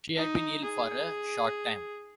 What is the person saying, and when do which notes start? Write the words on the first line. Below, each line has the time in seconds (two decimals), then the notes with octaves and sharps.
She had been ill for a short time.
0.16 D#4
0.64 G#4